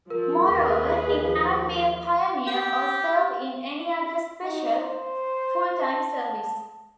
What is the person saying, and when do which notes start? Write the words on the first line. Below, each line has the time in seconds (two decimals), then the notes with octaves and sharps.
Moreover, he cannot be a pioneer or serve in any other special, full-time service.
0.10 F3 A#4
0.45 D#2 A#3 G#4 B4
1.22 F3
2.47 G4
4.43 D#4
4.81 C5
5.82 A5